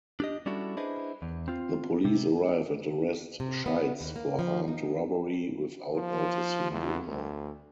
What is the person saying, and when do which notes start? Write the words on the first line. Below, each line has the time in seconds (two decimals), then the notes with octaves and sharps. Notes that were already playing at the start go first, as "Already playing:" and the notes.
The police arrive and arrest Scheitz for armed robbery without noticing Bruno.
0.20 D4 G4 D#5
0.46 G3 C#4 D4 E4 F#4 A4
0.77 D4 E4 G#4 B4 C5 D#5
1.22 E2
1.48 C4 F4
2.05 C3
3.40 C3
3.66 B3
4.01 D#2
4.16 A#3
4.39 F3
4.68 D#4
5.95 F3
6.71 E2
7.08 D2